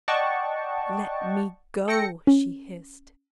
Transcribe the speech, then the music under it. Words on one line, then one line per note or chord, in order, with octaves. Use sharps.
"Let me go!" she hissed.
D5 D#5 F#5 G5 A5 C#6
A4 G5 A#6 C#7
C#4